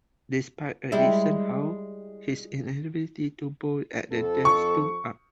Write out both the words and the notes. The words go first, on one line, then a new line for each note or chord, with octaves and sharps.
Despite a decent haul, his inability to bowl at the death stood out.
G3 G#3 E4
F2 A4
C#6